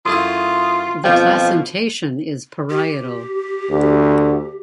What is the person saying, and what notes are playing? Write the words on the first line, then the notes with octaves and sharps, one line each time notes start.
The placentation is parietal.
F#2 A3 E4 F4 C6 D#6
F2 B2 F3 F4 G5
G4
D2